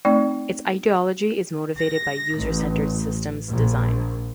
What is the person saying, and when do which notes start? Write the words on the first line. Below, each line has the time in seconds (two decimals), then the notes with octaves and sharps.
Its ideology is motivated by user-centered systems design.
0.05 A3 C4 D#4 D5
1.78 A#6
2.36 A1
3.47 A#1